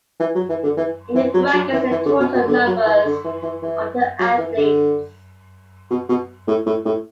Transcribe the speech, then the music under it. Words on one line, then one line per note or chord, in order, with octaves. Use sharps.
In the brackets are the total numbers of the athletes.
E3
F#3
E3
D3
E3
E3
F#3
F#3
E3
E3
D3
B2
B2
D3
F#3
E3
D3
E3
E3
E3
F#3
E3
D3
B2
B2
A2
A2
A2